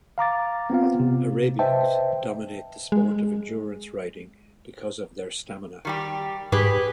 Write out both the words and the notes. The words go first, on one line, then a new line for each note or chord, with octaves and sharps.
Arabians dominate the sport of endurance riding because of their stamina.
F5 A#5 D6 A6
B3 C4 F4 F5
C3
B4 C5 D#5 E5 G5 A5
G#3
D#3 G3 G4
G#2 G4 G#4 B4